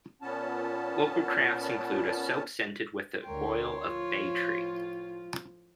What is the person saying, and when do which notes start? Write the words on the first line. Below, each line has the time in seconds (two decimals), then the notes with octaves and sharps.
Local crafts include a soap scented with the oil of bay tree.
0.22 A#2 B3 C#4 A5
3.24 D2 A#4 C#5 G5 C6
3.85 A2 F3 F4